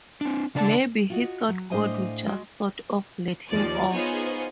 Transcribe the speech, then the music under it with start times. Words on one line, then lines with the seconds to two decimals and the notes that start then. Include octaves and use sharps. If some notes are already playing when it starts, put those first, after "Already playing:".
Maybe he thought God would just sort of let him off.
0.21 C4 D4
0.55 C#3 D4 D5 G#5 A5
1.10 F4 F#4 D#5
1.48 F#3
1.70 A2 D4 C5 D#5 F5 G#5
2.27 G#3 F#4
3.49 D#2 F3 D5
3.93 B3 D#4 F4 G#4 C5 C#5